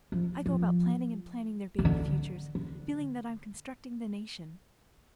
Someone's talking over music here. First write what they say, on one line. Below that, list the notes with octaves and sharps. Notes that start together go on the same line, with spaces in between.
I go about planning and planning their baby futures, feeling that I'm constructing the nation.
F3
F3
C3
D3
D3